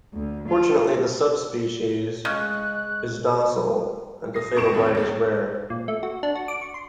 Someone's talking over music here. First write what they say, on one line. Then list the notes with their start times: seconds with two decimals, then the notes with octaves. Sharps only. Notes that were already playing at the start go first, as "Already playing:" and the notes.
Fortunately the subspecies is docile and a fatal bite is rare.
0.14 D2
0.49 F4
2.25 C#3 G#3 D#5 C#6 F#6
4.34 D#6 A#6 C7
4.56 F2 C#6 D7 E7
4.73 G#1 D#2 C3
4.95 A1 E2
5.70 A#2
5.88 A3
6.03 F#4
6.23 D4
6.36 F#4
6.48 D6
6.61 C#6
6.74 C6